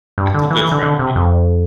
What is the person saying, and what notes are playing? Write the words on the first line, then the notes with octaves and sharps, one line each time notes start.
That's a good strategy, yeah.
G2
D3
E3
E3
D3
D3
C3
F2